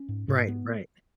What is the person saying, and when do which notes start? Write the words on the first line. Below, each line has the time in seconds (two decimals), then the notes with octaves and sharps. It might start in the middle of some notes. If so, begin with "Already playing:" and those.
Right, right.
Already playing: C#4
0.09 G#2
0.29 G#2
0.48 B3